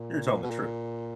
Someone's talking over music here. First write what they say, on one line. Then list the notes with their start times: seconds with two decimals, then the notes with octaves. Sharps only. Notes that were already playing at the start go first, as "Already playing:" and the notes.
you're telling the truth.
Already playing: A#2
0.43 B2
0.50 A#2